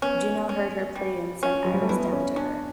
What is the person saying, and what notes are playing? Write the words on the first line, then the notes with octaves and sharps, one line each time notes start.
Juno heard her plea and sent Iris down to her.
B3 C#4
C#4
G3
C#4
F#3
G3
A3
B3 E4
C#4
C#4 D4